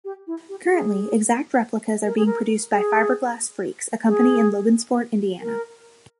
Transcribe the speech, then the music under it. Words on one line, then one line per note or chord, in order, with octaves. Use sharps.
Currently, exact replicas are being produced by Fiberglass Freaks, a company in Logansport, Indiana.
G4
E4
G4
G4
G#4
A#4
G#4
A#4
G#4
G#4
A#4